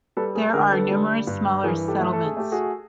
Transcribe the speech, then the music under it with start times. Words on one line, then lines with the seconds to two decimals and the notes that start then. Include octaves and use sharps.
There are numerous smaller settlements.
0.17 G3 A4 B4
0.35 G#4 A#4
0.53 D3 G#4 A#4
0.72 A4 B4
0.91 G3
1.27 G2
1.63 E3 G#4 A#4
1.88 G4 A4
2.00 A3
2.13 A4
2.25 G#4
2.37 A3 G4
2.52 F#4 G#4